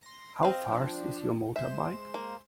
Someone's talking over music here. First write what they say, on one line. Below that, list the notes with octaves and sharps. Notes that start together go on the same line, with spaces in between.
How fast is your motorbike?
C6 A#6
C4 D#5 F5 E7
F3 D4
G#3 C5 E5 E7
A#3